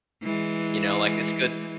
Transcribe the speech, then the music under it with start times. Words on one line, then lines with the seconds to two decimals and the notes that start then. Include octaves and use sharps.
you know, like, it's good
0.23 E3 G#3